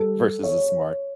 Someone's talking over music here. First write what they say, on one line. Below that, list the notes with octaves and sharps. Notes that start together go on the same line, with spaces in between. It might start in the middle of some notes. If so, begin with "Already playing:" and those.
Versus the smart
Already playing: G3 A4
C#5